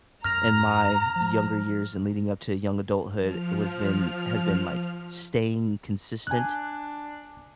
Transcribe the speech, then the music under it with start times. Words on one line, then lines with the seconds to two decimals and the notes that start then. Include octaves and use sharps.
in my younger years and leading up to young adulthood, was been has been, like, staying consistent
0.24 F#2 A#5 F6 A#6 F7
1.16 F3
3.16 F3 F6
6.27 D4 G#5 F#6